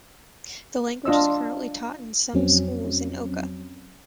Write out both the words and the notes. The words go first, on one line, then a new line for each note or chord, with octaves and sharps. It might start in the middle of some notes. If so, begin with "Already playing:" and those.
The language is currently taught in some schools in Oka.
D4 F4 D#5 E6
F2 F#3 C4 C#4